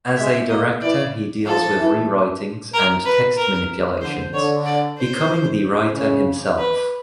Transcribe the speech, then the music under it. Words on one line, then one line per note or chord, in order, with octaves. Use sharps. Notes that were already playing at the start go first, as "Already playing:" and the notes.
As a director he deals with rewritings and text manipulations, becoming the writer himself.
G#3 E5
A#3 D#5
E3 D5
F3 A4
E3
A#4
B4
A#4
D3 C5
D3 C#5
D5
C5
C#3
B4